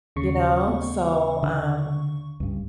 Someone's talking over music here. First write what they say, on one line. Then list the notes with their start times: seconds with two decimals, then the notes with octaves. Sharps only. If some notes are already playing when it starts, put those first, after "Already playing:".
You know? So, um
0.16 D#2 C#3 C#6
0.68 B3
1.43 D3
2.40 C#2 G2